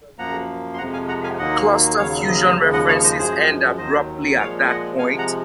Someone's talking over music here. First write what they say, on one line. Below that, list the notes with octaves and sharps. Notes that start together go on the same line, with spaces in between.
Cluster fusion references end abruptly at that point.
F#2 F3 A#3 F#5 A#5
C6
F2 C3 F3 G#3 F#5 A#5
F5 G#5
F#5 A#5
F5 G#5
D#2 D#3 F#3 A#3 D#5 F#5
D#2 C#3 F#3 C#5 F5
D#5
F5
C5 D#5
D#2 C#3 F3 G#3
D#5 F#5
C#5 F5
C5 D#5
F#2 F3 G#3 G#4 C5
D#2 D#3 F#3 C5 D#5
A#2 F3 G#3 C#5 F5
G#5
D#5 F#5
C3 F3 G#3 F5 G#5
F#5 A#5